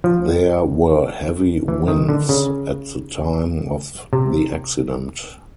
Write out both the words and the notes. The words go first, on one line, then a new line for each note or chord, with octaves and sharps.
There were heavy winds at the time of the accident.
F3
E3
D#3
D3
C#3
C3